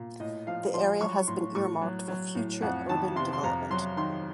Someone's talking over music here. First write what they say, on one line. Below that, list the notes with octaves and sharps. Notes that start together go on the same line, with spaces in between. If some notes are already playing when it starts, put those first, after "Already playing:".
The area has been earmarked for future urban development.
Already playing: A#2
A2 D#5
F3 F5
F3 C6
F#3 C#6
A2 C6
A2 C#6
F#3
F#3
A2
F2 F#5
D#3 A5
C3 C6
C6
F2 A#5
F#3 C6
D#3 C6